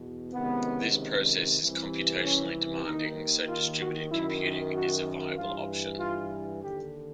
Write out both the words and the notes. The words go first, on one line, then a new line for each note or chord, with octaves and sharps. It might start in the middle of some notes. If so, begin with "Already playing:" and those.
This process is computationally demanding, so distributed computing is a viable option.
Already playing: E2 B2
C#2 C3 D#3 B3
C2 C3 E3
C#4
D#2 D#3 D#4
F4
F#4
F#2 D#3 E4
F#4
G2 E3 F4
F4
D#2 D3 G4